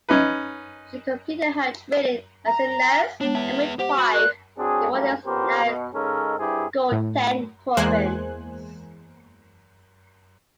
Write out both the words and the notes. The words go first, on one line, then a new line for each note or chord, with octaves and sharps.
She completed her training as a nurse and midwife in what is now Gauteng Province.
C#4 D#4 B4
A#5
G#3 B3 D4 C#5
B3 E5 A5
G4 C5 F#5
F#4 B5
A#4 D5 F#6
F#3 C4 D4 F#4 G#4
G#2 F#3 G3 A3 A#3
F2 B3 C#4 G4 A#4 C5
B2
C#3 G#3 C#4 D#4 A4 A#4
C2 G2 C4 E4 G4 G#4
A2
E2 G#3 A#3 C5 G#5 F#6